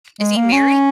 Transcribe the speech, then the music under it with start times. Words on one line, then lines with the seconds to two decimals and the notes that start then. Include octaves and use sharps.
Is he married?
0.20 G#3
0.36 A#3
0.52 C#4